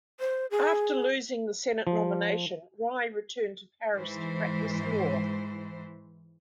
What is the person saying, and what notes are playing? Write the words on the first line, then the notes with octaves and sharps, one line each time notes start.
After losing the Senate nomination, Rye returned to Paris to practice law.
C5
G#4
F3
G#2 E3 C5